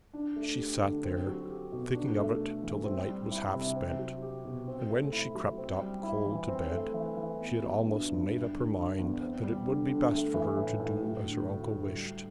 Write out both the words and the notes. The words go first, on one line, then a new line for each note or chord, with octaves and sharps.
She sat there, thinking of it till the night was half-spent, and when she crept up cold to bed, she had almost made up her mind that it would be best for her to do as her uncle wished.
D4
A3
G4
D3
C4
F#3
G4
B2
D4
A3
A4
E3
C4
G3
E4
C3
C4
F#3
G4
B2
C4
A3
E4
F#3
C4
G3
E4
E3
C4
A3
E3
E3
B3
F#3
G2
G2
G3
D3
D4
E2
C4
G3
D3
D3
A3
E3
A2
A2
F#3
D3
D2
D2
G3